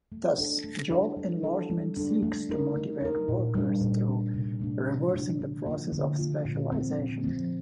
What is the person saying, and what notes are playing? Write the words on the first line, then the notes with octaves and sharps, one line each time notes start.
Thus, job enlargement seeks to motivate workers through reversing the process of specialisation.
A3
D4 A4
A3
D4 A4
G3
D4 A4
G3
D4 A4
A3
D#4 A#4
A3
D#4 A#4
A#2
G3 D4
A#2
G3 D4
C3
F3 A3 D4
C3
F3 A3 D4
D3
F3 A#3 F4
D3
F3 A#3 F4
A#2
F3 C4
A#2
F3 C4